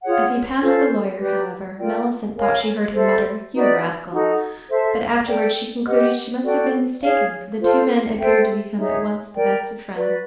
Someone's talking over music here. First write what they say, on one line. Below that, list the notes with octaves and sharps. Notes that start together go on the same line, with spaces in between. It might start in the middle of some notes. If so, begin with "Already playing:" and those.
As he passed the lawyer, however, Mellicent thought she heard him mutter, "You rascal!" But afterwards she concluded she must have been mistaken, for the two men appeared to become at once the best of friends.
F4 G#4 C#5 F#5
C#4 F4 A4 C5
G4 B4 D5
F4 A#4 D5 G5
A#4 C#5 F5 G#5
A4 C5 E5
D#4 F#4 B4 D5
D#4 F#4 A4
A4 C5 E5
A4 D5 G5
G4 B4 D#5 F#5
F#4 A4 D5 G5
G#4 C#5 F5
F4 A4 C5
A4 C5 E5 G5
D#4 G#4 C#5 E5
A#4 D5 G5
F#4 B4 D5